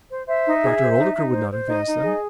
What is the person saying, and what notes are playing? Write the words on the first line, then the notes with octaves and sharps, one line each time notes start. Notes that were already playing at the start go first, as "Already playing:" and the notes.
Dr. Oldacre would not advance them.
C5
C5 E5
D#4
G#4
C5
D#4
D#4
C5
C5
D#4 D#5
D#4
G#4